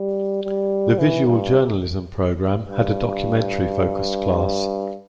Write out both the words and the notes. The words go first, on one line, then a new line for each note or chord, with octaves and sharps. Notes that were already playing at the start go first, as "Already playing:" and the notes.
The Visual Journalism Program had a documentary focused class.
Already playing: G3
G3
E3
G2
G2